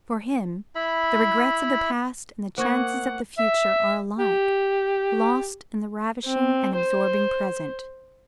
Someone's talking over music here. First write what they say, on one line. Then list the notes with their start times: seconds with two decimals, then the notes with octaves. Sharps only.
For him, the regrets of the past and the chances of the future are alike lost in the ravishing and absorbing present.
0.75 E4 E5 B5
2.58 A#3 C5 D#5 F#5 G#5 C#6 G#6
3.38 E5
4.19 G4
6.26 C4
6.77 C5